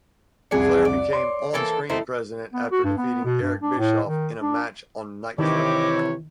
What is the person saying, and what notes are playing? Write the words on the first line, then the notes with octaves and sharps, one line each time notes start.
Flair became on-screen president after defeating Eric Bischoff in a match on "Nitro".
C2 F2 D4 G#4 C#7
D5
C#5 C6
E3 A#3 A4
D#3 A3 E4 A4 C5
B3
F#4
G2
B3
B2
G2
D4
A2
D#3
D4
C3 D#3 E3 E4 G4 C#5 D#5 D6